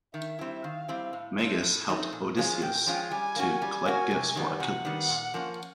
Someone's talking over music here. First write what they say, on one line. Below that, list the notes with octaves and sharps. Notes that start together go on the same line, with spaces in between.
Meges helped Odysseus to collect gifts for Achilles.
D#3 E5
G3 C4 E4
D#3 F5
G3 C4 E4
A2
F3 A3 C4 D#4
A2
F3 A3 C4 D#4
A#2
F3 G#3 C#4 F4
A#2 G5
F3 G#3 C#4 F4
G3 G#5
A#3 C#4 F#4
G3 G#5
A#3 C#4 F#4
C3
D#3 G3 B3
C3 F#5
D#3 G3 B3
A#2
F3 A#3 C#4